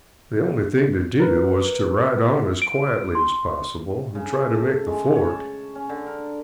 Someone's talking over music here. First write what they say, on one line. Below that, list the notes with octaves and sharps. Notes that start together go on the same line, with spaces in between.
The only thing to do was to ride on as quietly as possible and try to make the ford.
A#4 B4
D7
C6
C#3
A3
G#3
C#5
A5
C#4
D3
A#4